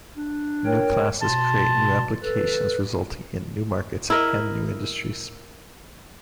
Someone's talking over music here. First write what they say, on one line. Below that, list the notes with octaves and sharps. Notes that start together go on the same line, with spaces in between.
New classes create new applications resulting in new markets and new industries.
D4
A#4 C#5 G5
B2 A5 C6
A4 B4
E4 A#4 D#5